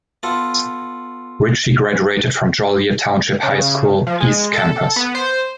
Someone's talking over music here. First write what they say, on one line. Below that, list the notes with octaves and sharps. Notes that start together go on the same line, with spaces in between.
Richie graduated from Joliet Township High School, East Campus.
B3 F4 A4
C#3
F3
G#3
A4
B3
C5